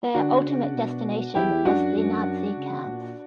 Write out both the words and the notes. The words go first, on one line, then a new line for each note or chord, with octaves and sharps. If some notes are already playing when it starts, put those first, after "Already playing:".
Their ultimate destination was the Nazi camps.
D3 D4 F#4
C#3
B2
E2 E4 G4
F#2 D4 F#4
F#2
C#3
A#2